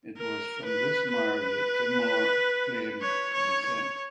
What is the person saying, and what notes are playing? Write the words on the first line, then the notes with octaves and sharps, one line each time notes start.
It was from this marriage that Timur claimed descent.
A#4
B4
B4
C#5
C#5
C#5